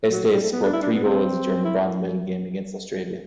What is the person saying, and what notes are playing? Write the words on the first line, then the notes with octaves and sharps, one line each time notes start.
Estes scored three goals during the bronze medal game against Australia.
F#3
G3
A3
B3
D4
E4
D4
B3
C4
E4